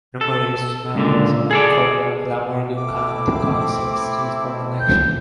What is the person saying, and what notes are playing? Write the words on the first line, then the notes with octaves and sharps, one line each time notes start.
Numerous members of the former Glamorgan County Council stood for election.
A4
C#2 A#2 D3
G#4 A4 D5
A3 C4 E4 D6
G6